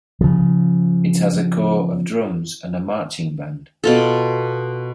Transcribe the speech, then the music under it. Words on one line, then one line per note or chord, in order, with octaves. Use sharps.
It has a Corps of Drums and a "Marching" Band.
C#3 F3
B2 F4 A4